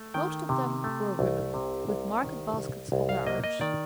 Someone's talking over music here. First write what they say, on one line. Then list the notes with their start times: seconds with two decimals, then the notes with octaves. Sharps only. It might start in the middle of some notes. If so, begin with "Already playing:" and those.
Most of them were women with market baskets on their arms.
Already playing: A3
0.14 D#3 G5
0.49 C3
0.84 A3
1.19 C2
1.54 C3
1.89 C2
2.23 D#3
2.57 C2
2.92 C2
3.09 F5
3.27 A#3 D#5
3.44 D#5
3.61 D#3 D5